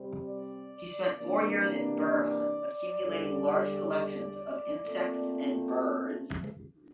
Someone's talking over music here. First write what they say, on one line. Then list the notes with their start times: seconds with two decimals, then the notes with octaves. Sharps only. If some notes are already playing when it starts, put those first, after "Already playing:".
He spent four years in Burma, accumulating large collections of insects and birds.
Already playing: C3 G3 C4
0.26 D5
1.18 C3 E3 A#3 D4
2.10 D5
3.01 E2 D3 G3
4.85 A#2 A3 C4